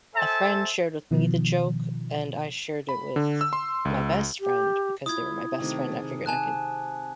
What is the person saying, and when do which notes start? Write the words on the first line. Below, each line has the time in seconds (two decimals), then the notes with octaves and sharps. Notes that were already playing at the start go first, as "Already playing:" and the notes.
a friend shared with me the joke, and I shared it with my best friend- because they were my best friend I figured I could
0.15 A4 C5 E5 G#5 A5
1.11 B2 D#3 F3
2.89 B5
3.16 D3
3.41 E6
3.53 C6
3.85 C#2
4.40 G4
5.06 E4 F4 D#6 G#6
5.60 C3 D#3 A3
5.92 G#4
6.26 G#5 A5 F#6